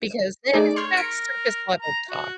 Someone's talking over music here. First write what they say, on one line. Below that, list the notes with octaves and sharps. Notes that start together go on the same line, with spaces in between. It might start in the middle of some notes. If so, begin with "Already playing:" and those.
Because then it's not surface level talk.
A3 D#4 G#4 D5
C#5 C6 F6 G6
A#4 B6 C#7 D7
A#5
F#4